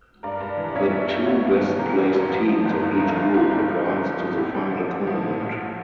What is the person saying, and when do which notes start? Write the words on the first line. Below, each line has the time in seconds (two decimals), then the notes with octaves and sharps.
The two best placed teams of each group advanced to the final tournament.
0.23 G2 A#4 D5
0.40 G2
0.58 E3
0.69 D5
0.75 G2 C#5 E5
0.92 G2
1.10 G2
1.27 A1 A4 C#5
1.44 G2
1.62 E3
1.79 E3 G4 A#4
1.96 G2
2.14 A1
2.31 F3
2.48 F3
2.65 G1
2.82 G2 A4
2.94 A#4
3.00 F3
3.07 F4 A4
3.17 G1
3.34 G1 E4 G4
3.51 G2
3.69 F3
3.86 G1
4.03 F3
4.20 F3
4.38 A1 E4 G4
4.55 A1
4.72 F3
4.90 A1
5.07 F3
5.24 A2
5.41 A1